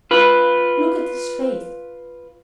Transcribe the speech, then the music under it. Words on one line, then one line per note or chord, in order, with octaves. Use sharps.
Look at his face.
F4 B4